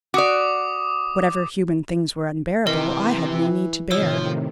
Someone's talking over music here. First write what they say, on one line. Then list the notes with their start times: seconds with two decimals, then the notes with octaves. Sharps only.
Whatever human things were unbearable, I had no need to bear.
0.14 F#4 D5 D6 D#6
2.67 C3 E3 A#4 D#5
3.91 A2 C3 D#3 F3 C#5 E6